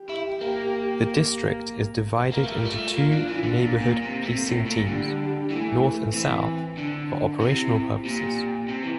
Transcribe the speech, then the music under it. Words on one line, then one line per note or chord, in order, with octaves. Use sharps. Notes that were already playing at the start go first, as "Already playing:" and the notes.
The district is divided into two neighbourhood policing teams-North and South-for operational purposes.
Already playing: G4
E4
A#3
A#3 A#4
A3
G3
A3 F4
A#3
D4
E3
D3
A#2 A#3
A#2
C3
C3 A3
A2
A#2
D3 G3
E3 A3
E3 C4
D3 D4
C3 E4
A#2 G4
C3
E3